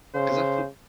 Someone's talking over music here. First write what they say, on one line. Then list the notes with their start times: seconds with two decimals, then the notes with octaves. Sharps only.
'Cause I feel
0.15 C#3 C5